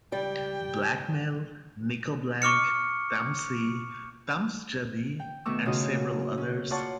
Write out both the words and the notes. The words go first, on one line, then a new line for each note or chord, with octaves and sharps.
Blackmail, Nico Blank, "Tamsi" Tamsjadi, and several others.
C#2 G3 D5 G5
C#6 D6 F6 C#7
G5
B2 D#3 A3 C#6 D6 E6
C#3 F4 F#4 D#5 D#6
A#2
C#4
F4 C#5 D5 F#5 A5 C#6